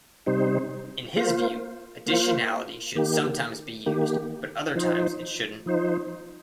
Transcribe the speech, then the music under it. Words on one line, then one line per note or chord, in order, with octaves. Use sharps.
In his view, additionality should sometimes be used, but other times, it shouldn't.
C3 G3 D#4 C5
A#3 F4 C5
A#3 F4 C5
D#3 A#3 G4
D#3 A#3 G4
F3 D#4 C5
F3 D#4 C5